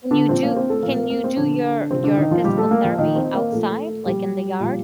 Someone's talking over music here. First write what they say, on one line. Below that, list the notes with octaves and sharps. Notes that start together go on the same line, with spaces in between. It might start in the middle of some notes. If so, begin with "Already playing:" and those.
Can you do can you do your your physical therapy outside, like, in the yard?
D3 D4
A#2 F3 C4
A#3
C4
A3 A4
A#2 F3 A#3 A#4
A#3 A#4
A#3 A#4
C4
A#2 D3 F3 D4
C3 F3 C4
D3 D4
D#3 D#4
F3 F4
A#2 F3 G3 G4
A3 A4
A#3 A#4
F3 F4
A#2 D#3 F3 D#4
C4
A#3 A#4
A#2 F3 A3 A4
A#2 F3 G3 G4
A#2 F3